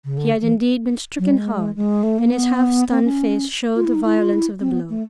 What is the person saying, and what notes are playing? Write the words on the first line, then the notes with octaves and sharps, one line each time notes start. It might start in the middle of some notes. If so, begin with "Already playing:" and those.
He had indeed been stricken hard, and his half-stunned face showed the violence of the blow.
C#3
D3
E3
F#3
G3
G#3
G#3
A3
A#3
B3
C4
C#4
F4
E4
D#4
E4
F4
E4
C4
B3
A3